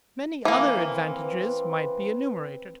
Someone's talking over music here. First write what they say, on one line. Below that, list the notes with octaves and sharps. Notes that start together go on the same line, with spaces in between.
Many other advantages might be enumerated.
E3 A#3 C4 B4